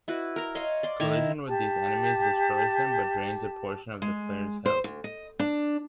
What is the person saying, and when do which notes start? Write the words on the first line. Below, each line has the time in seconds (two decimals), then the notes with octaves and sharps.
Collision with these enemies destroys them but drains a portion of the player's health.
0.08 E4 F#4 B4
0.36 A#4 A#5
0.55 C#5 D#5 F5 C6
0.83 D5 C6
1.00 D#3 E4 E5 A#5
1.48 G4 A5
4.02 G#3
4.66 C5
4.84 D2
5.04 D#5
5.39 D4